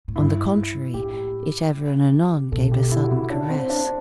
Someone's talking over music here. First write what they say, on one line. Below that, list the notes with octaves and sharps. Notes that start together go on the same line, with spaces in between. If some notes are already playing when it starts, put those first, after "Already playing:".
On the contrary it ever and anon gave a sudden caress.
A2
G2 E4
A2 G4
B2 A4
G4
E4
F#4
E4
D4
C4
D4